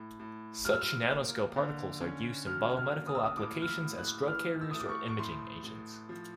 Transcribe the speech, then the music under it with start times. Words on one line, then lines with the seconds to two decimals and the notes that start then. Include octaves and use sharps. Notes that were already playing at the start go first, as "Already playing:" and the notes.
Such nanoscale particles are used in biomedical applications as drug carriers or imaging agents.
Already playing: A2
0.20 A2
0.65 F#3 F6
0.73 E6
0.81 F6
1.11 A#3
1.56 D3
2.01 C#4
2.47 F#3 F6
2.77 F6
2.92 A#3
3.07 D#6
3.15 E6
3.24 D#6
3.37 A2 D6
3.62 F6
3.67 E6
3.82 A2
3.98 F#6
4.28 E3 F6
4.61 E6
4.71 A3 D#6
4.80 D6
4.89 C#6
5.08 C#6
5.19 A2 C6
5.63 A2
6.09 F3